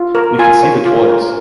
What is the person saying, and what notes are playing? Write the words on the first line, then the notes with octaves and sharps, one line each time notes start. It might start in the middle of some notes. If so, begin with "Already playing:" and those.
We can see the toys...
Already playing: F4
A#4
F4 G#5
C#5
F4
A#4